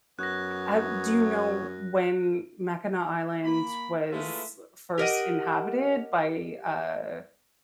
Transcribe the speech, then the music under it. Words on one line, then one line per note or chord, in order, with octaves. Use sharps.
uh, do you know when Mackinac Island was first inhabited by, uh
F#2 B3 C#5 F#6 A#6
A#3 B5
G#3 A3 E4 F4 B4 E5
G4 A#4 D#5 F#5